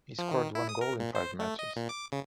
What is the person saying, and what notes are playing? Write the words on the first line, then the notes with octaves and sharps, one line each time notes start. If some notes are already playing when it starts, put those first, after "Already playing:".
He scored one goal in five matches.
F3
D#3
E4
D#6
A#4
A#2
C5
A3
D#5
A#2
D6
C#3